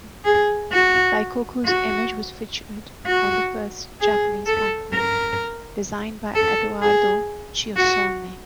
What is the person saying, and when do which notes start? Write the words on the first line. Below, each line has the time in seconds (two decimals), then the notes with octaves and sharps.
Daikoku's image was featured on the first Japanese bank note, designed by Edoardo Chiossone.
0.25 G#4
0.72 F#4
1.65 F#4
3.07 F#4
4.01 G#4
4.47 A4
4.95 A#4
6.35 A4
6.82 G#4
7.76 F#4